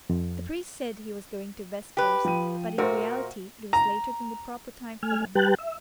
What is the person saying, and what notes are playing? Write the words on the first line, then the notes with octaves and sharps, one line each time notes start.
The priest said he was going to vespers, but in reality it was later than the proper time for them.
F2
G4 B4
F3 G5 D#7
A#2 F#4 A#4 C5 E5
A#5
A3 G#5 F6
G3 G4 B4 G5 A5 F#6
E5